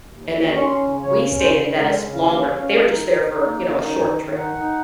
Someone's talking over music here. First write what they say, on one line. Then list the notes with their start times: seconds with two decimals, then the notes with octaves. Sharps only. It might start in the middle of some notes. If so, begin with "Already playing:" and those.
and then w we stayed in Venice longer, but they were just there for, you know, a short trip.
0.10 D#2
0.28 D#2
0.47 C#4
0.57 C#6
0.65 C#4 C6
0.84 C#3
1.02 C#3 C#5
1.20 C#4
1.39 C#3 C5
1.58 C#3
1.76 G#3 A#4
1.95 C#3
2.14 D#2 F5
2.32 C#4
2.50 C#4
2.69 G#3
2.88 D#4
3.06 D#4
3.26 D#4
3.43 A#3
3.62 F#2
3.81 D#4
3.99 D#3
4.18 D#3
4.36 D#4 F#5
4.55 D#4